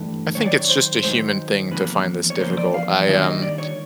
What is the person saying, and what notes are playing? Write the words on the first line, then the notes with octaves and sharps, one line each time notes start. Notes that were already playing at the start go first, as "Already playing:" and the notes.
I think it's just a human thing to find this difficult, I, um,
Already playing: G2 E3 A3
G#2 D#3 F#3 C#5
D5
C#5
C5
G#2 D#3 F#3 C5
E2 C#3 F3 A#3 B4
C#5
E2 C#3 F3 A#3 C5
D5
F5
D#3 G3 A#3 D4 F4 E5
D#5
D5
C#5